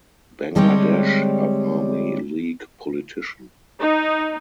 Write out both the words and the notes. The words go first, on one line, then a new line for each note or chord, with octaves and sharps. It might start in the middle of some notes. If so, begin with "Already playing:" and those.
Bangladesh Awami League politician.
D3 G3 G#3 C4 G4 C#5
D#4